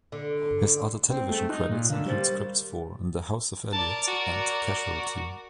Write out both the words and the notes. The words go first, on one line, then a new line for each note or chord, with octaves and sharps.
His other television credits include scripts for "The House of Eliott" and "Casualty".
D3
C4 G5
A3 G#4
D#4 F#6
A#2
D3 A#4 F5
G3 G4 C5 A6
A#4 D5 A5
F#4